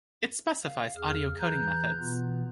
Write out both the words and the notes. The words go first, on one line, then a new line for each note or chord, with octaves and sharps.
It specifies audio coding methods.
F5
E2 G#4 F6
E3 A#5 F#6 G6
B2 E3 B3 F4